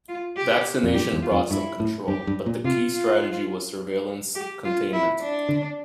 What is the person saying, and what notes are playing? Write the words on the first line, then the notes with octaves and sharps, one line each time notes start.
Vaccination brought some control, but the key strategy was "surveillance-containment".
F4
G4
F2
G2 G4
E2
F4
F2
G2 E4
A2
G2 G4
G2
A#2
C3 F4
F4
G4
F4
E4
D4
D3